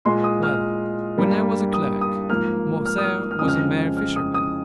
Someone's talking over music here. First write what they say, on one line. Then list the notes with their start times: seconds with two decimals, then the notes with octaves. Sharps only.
"Well, when I was a clerk, Morcerf was a mere fisherman."
0.05 A#2 G#3 C6
0.24 D#6
0.43 F6
1.18 G2 G3 A#3
1.73 D#6
2.01 D#6
2.29 G#2 F3 A#3 F6
2.86 F6
2.98 D#6
3.04 F6
3.31 F6
3.39 F2 C#3 G#3 D#6
3.48 F6
3.97 F6
4.16 D#6
4.34 D#6